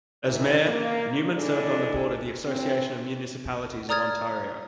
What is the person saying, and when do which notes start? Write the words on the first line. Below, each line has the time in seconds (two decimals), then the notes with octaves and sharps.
As mayor, Neumann served on the board of the Association of Municipalities of Ontario.
0.25 D#3 E3
0.68 A#3
1.33 D#2 G#3 D4 E4 A4
2.45 C3 E3 C4
3.89 D5 A#5 D#6 F6 G#6 A6